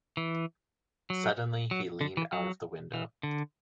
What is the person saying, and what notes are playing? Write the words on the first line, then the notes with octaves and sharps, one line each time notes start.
Suddenly he leaned out of the window.
E3
F#3
F#3
D3
E3
F#3
E3
D3